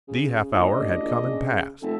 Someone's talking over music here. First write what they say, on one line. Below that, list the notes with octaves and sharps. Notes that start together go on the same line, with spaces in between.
The half-hour had come and passed.
C#3
A#2 D4 D#5
A1
A#1
C#3
F1 A4 E5